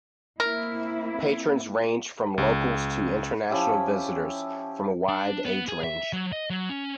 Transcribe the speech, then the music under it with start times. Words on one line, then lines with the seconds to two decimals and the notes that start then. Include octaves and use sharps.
Patrons range from locals to international visitors, from a wide age range.
0.40 A#3 C4 E4 A#4
2.38 C#2
3.50 F3 C#4 E4 G4
5.09 D4
5.45 B3
5.68 G#4
5.83 E5
6.13 F#3
6.32 D#5
6.50 F#3
6.70 C#4